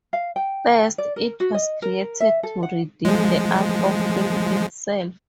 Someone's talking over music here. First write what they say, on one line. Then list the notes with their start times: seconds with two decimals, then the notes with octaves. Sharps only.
First, it was created to redeem the art of film itself.
0.13 F5
0.36 G5
0.98 D5
1.16 A#4
1.40 F#4
1.54 D#5
1.82 A#4
2.20 E5
2.43 A4
2.63 F#5
3.05 F3 G#3